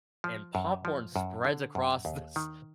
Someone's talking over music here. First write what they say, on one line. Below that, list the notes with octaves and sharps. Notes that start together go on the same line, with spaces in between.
and popcorn spreads across this
F3
F#2
F3
F#2
D3
F#2
D#2
D#3